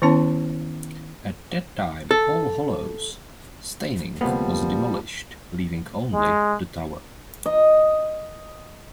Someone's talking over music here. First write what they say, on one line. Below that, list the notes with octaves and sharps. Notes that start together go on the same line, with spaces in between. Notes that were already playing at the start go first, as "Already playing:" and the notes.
At that time All Hallows Staining was demolished, leaving only the tower.
D#3 B3 C#4 E4 C#5 A5
A4
D2 C3 F3 G3 A#3 B3
G#3
D#5